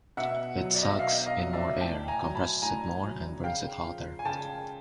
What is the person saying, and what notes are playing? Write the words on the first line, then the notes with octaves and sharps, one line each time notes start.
It sucks in more air, compresses it more, and burns it hotter.
B2 E5 F#5
F#3
D5
D#5
E5
B2 D#5 F5
D#5 F5
F#3
D5 E5
A2 G5 A5
G#5 A#5
F#3
A5 B5
A2 G#5 A#5
F#3
C#3 F5 G5
F3
G#5
C#3 G5 A5